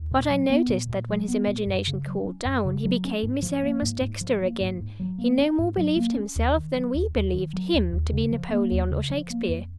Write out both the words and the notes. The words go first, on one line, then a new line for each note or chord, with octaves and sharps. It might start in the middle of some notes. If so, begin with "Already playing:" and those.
But I noticed that when his imagination cooled down he became Miserrimus Dexter again--he no more believed himself than we believed him to be Napoleon or Shakespeare.
Already playing: D#2
A#2
F#3
B3
A#2
A#2
F#3
B3
A#2
F#2
C#3
F#3
C#4
F#2
C#3
F#3
C#4
G#2
F3
A#3
G#2
G#2
F3
A#3
G#2
G#2
F#3
A#3
C#4
G#2
F#3
A#3
C#4
D#2
D#3
F#3
D#2
D#2
D#3
F#3
D#2
D#2
C#3
F3
A#3
D#2
C#3
F3
A#3
F2